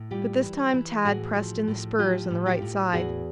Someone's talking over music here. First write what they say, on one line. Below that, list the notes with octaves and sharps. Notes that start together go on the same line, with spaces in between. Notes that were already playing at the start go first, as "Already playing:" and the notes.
But this time Tad pressed in the spurs on the right side.
Already playing: A2
G3 F4 G4
E3
E3
A2 F#4 G#4
F3
A2
F3 F4 G4
A2
F4 G4
A2
E2 F#4 G#4